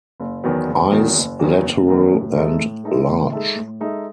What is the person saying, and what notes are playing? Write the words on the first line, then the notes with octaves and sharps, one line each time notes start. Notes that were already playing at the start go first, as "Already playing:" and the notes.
Eyes lateral and large.
F#1
E2 D#3 F#3 B3
F#1
E2 D#3 F#3 B3
F#1
E2 D#3 F#3 B3
F#1
E2 D#3 F#3 B3
A2
G#3 D#4 A4 E5
A2
G#3 D#4 A4 E5
A2
G#3 D#4 A4 E5
A2
G#3 D#4 A4 E5